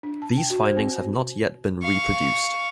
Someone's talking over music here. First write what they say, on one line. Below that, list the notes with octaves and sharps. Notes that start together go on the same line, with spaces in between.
These findings have not yet been reproduced.
D4
A5
G5
F#4
C5
C4
F5 C#6